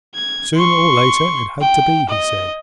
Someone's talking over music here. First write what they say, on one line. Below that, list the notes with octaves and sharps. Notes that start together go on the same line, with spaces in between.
"Sooner or later it had to be," he said.
G#6
C6 C#6
G5
D#5